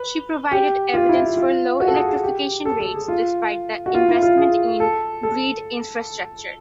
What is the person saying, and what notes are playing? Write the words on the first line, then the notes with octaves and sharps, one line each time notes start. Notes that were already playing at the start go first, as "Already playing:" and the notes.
She provided evidence for low electrification rates despite the investments in grid infrastructure.
Already playing: B4
G4
F4
E4
F4
F4
F#4
A4
G#4
G#4
G4
A4
A4
G#4
F4
F#4
F4
E4
F4
G#4
A4
A4